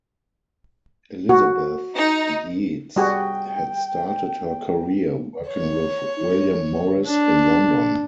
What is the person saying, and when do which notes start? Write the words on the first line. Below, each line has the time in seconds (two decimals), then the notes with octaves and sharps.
Elizabeth Yeats had started her career working with William Morris in London.
1.29 F#4
1.95 D#4
2.96 G3 F#4 G#4 G5
5.48 C#5
7.07 D4